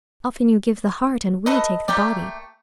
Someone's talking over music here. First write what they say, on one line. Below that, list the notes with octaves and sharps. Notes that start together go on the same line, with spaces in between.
Often you give the heart, and we take the body.
A4 B4 D#5
A3 A#3 G4 D5